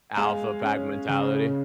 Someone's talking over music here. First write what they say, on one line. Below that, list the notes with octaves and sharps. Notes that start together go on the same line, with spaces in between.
Alpha pack mentality.
G#3 F5 G#5
C#4
C#3